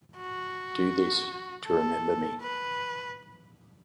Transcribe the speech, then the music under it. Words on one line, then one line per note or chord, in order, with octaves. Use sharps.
Do this to remember me.
F#4
A4
B4